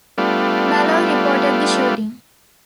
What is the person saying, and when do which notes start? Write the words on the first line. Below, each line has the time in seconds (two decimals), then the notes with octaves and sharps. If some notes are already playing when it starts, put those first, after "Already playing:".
Molloy reported the shooting.
0.18 G3 A3 B3 D4 F4